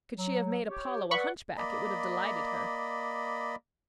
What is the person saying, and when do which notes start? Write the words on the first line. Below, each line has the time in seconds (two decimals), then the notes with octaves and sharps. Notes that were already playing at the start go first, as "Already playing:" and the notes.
Could she have made Apollo a hunchback, it would have delighted her.
0.16 F#3
0.68 G4 C#5
1.11 B4 D5 F#5 B5 C#6
1.57 A#3 D5 D#5 B5